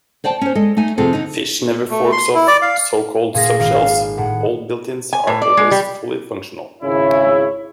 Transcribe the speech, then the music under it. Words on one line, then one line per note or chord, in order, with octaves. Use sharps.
Fish never forks off so-called subshells; all builtins are always fully functional.
C5 D5 G5 A5
C#4 C5
G#3 A4 D#5
A3 D#4 G#5
F2 C3 C4 F4 G#4 A4
D3 D#4
A3
C6
E4
D5
F5
A#2 G#4 F5 A#6
G#1 F5
A2 F#5
G#5
A2
D5
G#3
G3
G#1 C#3 E4 C#5